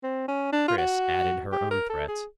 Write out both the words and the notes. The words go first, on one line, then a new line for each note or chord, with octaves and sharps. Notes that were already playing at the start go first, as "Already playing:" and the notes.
Chris added her own threats.
C4
C#4
D4
F4
F#4
G4
A#4
A4
G#4